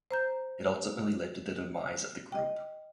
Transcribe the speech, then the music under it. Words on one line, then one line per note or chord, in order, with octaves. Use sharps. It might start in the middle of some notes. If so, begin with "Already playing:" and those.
It ultimately led to the demise of the group.
C5 A#5 G6
D#5 G5